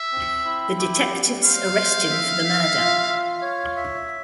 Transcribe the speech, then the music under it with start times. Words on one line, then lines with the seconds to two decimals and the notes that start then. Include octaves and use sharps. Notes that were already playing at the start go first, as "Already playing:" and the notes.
The detectives arrest him for the murder.
Already playing: E5
0.12 C4
0.45 E4
0.78 G4
1.11 G3
1.44 C5 F5
1.77 C5
2.10 E5
2.44 E5
2.76 F4
3.09 F4
3.42 C#5
3.76 E5